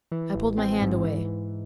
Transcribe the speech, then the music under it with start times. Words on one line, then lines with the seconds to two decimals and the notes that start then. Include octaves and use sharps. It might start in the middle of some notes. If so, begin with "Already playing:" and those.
I pulled my hand away.
0.12 E3
0.35 A1
0.58 C4
0.81 G#2
1.04 E3